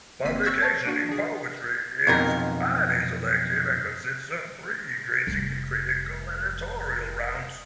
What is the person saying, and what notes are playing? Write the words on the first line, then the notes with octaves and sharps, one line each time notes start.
Publication in "Poetry" is highly selective and consists of three increasingly critical editorial rounds.
G1 A#3 C4 B6 C7 D#7
C#6 E6 F#6 G#6 A#6 B6
C#5 A5 A6
A#3 D4 F#4
D4 G#4
B1 F2 A#4
F1 G3